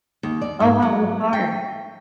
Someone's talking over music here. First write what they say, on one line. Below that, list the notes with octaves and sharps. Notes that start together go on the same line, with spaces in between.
Oh wow, what part?
D#2
D5
G#2
F#3
G5